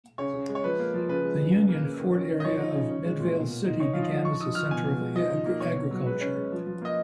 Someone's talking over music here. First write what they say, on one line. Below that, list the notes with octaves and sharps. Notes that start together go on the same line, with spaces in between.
The Union Fort area of Midvale City began as a center of agriculture.
C#3 C#5
C#3
G#3
C#5
F3 B4
A#3
F3
C#3 B4
G#3
C#3
C#3
A#3
C#3
D#3
C#4
D#3
D#5
F3 C#5
D#4
C#3
C#4
G#3
A#2
B2
A#3
D#4
D#4 C#5
F3 F5
D#5
F3
F3 C#6
D#4 D#6
F3 F6
B2 G#5
B2
G#3
F3 D#5
D#4
A#3
B2 C#5
B2
F#3
G#3 B4
C#4
G#3
F3
F3
A#3 D#5